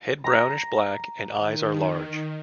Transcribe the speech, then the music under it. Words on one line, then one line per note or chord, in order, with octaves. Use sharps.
Head brownish black and eyes are large.
A#5
D#3